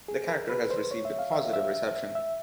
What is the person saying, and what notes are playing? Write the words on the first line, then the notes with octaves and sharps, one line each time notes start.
The character has received positive reception.
G#4
A#4
B4
C5
C#5
E5
F5
E5
E5
E5
E5